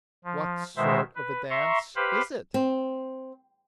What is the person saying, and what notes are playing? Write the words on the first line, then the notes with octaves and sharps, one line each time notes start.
'What sort of a dance is it?'
F3
B2 D#3 G#3 C5 E5
B4
E5 A#5 C6 C#6
G4 B4 C5 F5 B5
C4